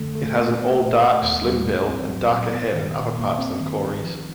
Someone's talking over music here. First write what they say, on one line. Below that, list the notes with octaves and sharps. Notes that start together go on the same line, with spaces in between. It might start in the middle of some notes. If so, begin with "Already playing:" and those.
It has an all dark, slim bill, and darker head and upperparts than Cory's.
Already playing: D3 A3
A3
B3
B3
A#2
A3
D#2
G3
D2
C4
F#3
A#2
B3
D#3
A#2
A#3
C4
D#3
D4
F3